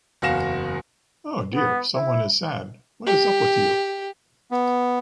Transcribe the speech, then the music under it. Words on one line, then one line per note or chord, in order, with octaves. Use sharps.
Oh dear, someone is sad. What is up with you?
F#1 E2 F#4 F5 A#6 E7
B3
E4
G4
B3